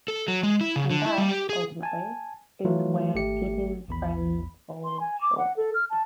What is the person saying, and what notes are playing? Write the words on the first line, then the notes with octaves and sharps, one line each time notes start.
And that, ultimately, is where "Peter's Friends" falls short.
A4
F#3
G#3
E4
C#3
D3
E4
G3
G4
G#4
G#5 A5
E3 F#3 A3 F4
G#1 A3 G4 C#7
A#1 E2 B5
C6
G#5
D6
F#5
A4
F6
A5